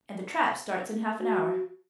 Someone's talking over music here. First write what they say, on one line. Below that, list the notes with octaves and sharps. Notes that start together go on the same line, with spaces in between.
"And the trap starts in half an hour."
F#4